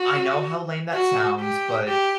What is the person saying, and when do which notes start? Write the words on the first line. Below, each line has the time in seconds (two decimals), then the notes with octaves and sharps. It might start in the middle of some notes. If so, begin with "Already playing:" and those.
I know how lame that sounds, but
Already playing: F#4
0.93 F#4
1.40 G4
1.88 G4